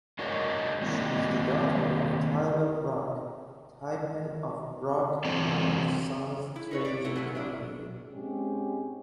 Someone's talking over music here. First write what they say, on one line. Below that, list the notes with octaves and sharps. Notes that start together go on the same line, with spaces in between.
She is the daughter of Tyler Brock, Tai-pan of Brock and Sons Trading Company.
D4 F#4 G#4 A#4 C#5 D#5
D#3 A#3 C4 E4 D5 D#5
E3 F#3 C4 D4 A4 A5
E4
D#4 B4 C#5
D5
G#2 B2 A3 B3 E4
F#3 A#3 B3 C#4
D4 E4
G#2 G#3 C4 C#4 G4 G#4